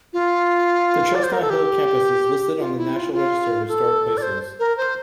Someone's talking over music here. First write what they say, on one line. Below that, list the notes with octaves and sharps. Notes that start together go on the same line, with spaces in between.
The Chestnut Hill campus is listed on the National Register of Historic Places.
F4
D5
C5
A#4
A4
G4
F4
E4
F4
F4
A4
D5
C5
A#4
C5